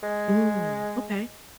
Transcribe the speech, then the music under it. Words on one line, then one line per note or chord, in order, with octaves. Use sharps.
Mm. Okay.
G#3